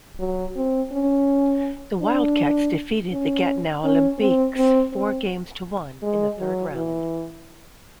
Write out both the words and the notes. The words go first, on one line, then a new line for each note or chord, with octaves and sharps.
The Wildcats defeated the Gatineau Olympiques four games to one in the third round.
F#3
C4
C#4
D4
C#4
C#4
C4
C4
C4
G#3
F#3
E3